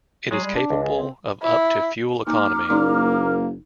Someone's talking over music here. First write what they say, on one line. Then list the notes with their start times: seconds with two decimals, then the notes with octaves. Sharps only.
It is capable of up to fuel economy.
0.31 F#3 G#3 G#4
0.44 G3
0.55 D4
0.70 C#2
0.83 G#4
0.99 C4
1.42 E4
2.27 A#3 D#4 A#5 D6 F6
2.70 F#1 A#3 D#4 D5 C6